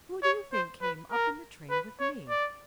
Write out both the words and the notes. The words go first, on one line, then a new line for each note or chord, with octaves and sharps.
Who do you think came up in the train with me?'
C#5
C5
B4
A#4
B4
C#5
D5